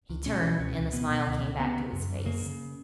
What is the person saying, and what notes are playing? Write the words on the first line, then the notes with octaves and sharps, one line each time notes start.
He turned, and the smile came back to his face.
C#2
B2 C#4
B2
C#2 C#4
C#2
B2 B3
B2
C#2
C#2
C#3 B3
C#3
F#2
F#2
C#3 A#3
C#3